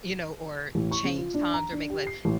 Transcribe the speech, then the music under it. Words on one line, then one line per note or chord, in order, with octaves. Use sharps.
you know, or change times or make like
A1
C#6
C#3
F4
D4
A#5
D4
G4
C7
A1